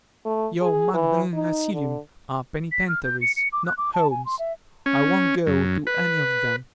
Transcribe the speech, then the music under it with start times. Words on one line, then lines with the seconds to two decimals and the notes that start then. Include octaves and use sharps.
Your Magdalen Asylums are penitentiaries, not homes; I won't go to any of them.
0.25 A3
0.61 G#4
0.93 E3
1.33 D#4
1.73 D3
2.72 B6
2.88 F6
3.04 G6
3.21 C#7
3.36 C#7
3.53 D6
3.66 F#6
3.78 D6
3.94 A5
4.11 G#5
4.26 C6
4.39 E5
4.86 C#4
5.47 F#2
5.87 B4